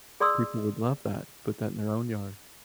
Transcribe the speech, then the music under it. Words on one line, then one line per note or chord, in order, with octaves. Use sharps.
People would love that, put that in their own yard.
G#4 D5 C6 D#6 E6